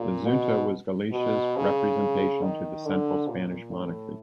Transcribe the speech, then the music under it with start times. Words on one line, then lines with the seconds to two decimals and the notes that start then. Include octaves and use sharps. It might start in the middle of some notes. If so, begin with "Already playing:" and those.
The Xunta was Galicia's representation to the central Spanish monarchy.
Already playing: A#2
0.26 B2
1.12 B2
1.56 C#3
2.42 D#3
2.85 D3
3.28 A#2
3.71 A2